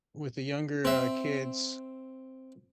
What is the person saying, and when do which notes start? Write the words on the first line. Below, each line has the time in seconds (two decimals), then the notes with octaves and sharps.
with the younger, uh kids,
0.85 C4 E5